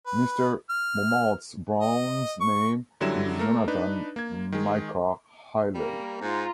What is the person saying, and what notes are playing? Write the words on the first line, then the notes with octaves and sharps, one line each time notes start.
Mr. Mommaerts-Brown's name is Yonathan Micah Hillel.
B4
F6
D#5
C#6
F#2 D3 F#3 G3 E4 E7
A3 A#3 A#4
D4 D#4 B4
A#3 G#6
D#3 G#3
G3 A#3 A#4
G#2 F4 A#5